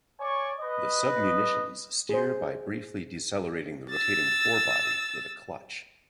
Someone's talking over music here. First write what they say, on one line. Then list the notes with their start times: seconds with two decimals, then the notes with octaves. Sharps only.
The sub-munitions steer by briefly decelerating the rotating fore-body with a clutch.
0.20 C#5 D5 G#5 C#6
0.59 B4 D#5
2.09 G#4 C5
3.91 E6 A6